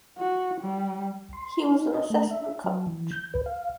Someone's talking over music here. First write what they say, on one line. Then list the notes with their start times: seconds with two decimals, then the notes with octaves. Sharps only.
He was an assistant coach.
0.18 F#4
0.60 G3
1.33 C6
1.72 D#4
1.94 D#5
2.10 A3
2.31 E5
2.64 F#3
2.87 E3
3.11 G6
3.34 B4
3.46 F5